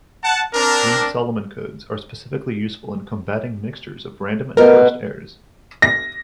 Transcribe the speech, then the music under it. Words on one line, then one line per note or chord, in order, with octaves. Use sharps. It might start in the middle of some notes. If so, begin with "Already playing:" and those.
Reed-Solomon codes are specifically useful in combating mixtures of random and burst errors.
F#5 A5
C4 D4 A#4
B2 A3 A#4
A#6